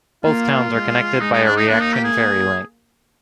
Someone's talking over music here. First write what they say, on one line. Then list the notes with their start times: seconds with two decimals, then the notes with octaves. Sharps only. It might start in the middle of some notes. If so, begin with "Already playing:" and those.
Both towns are connected by a reaction ferry link.
0.24 A#3 F4
0.72 G#3
1.20 G#3 D#4
1.32 D#4
1.44 D4
1.56 D#4
1.68 A#3 D4
1.81 D#4
1.93 G4
2.04 G#4